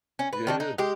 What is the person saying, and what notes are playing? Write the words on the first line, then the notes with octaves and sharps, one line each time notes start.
Yeah, yeah.
C#4
B4
D#3 D4 D#4
D#4
G#3 G4